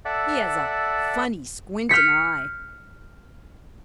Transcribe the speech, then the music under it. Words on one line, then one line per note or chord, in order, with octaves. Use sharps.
"He has a funny, squinting eye."
A4 D5 E5 F#5
F6 G6 B6 C#7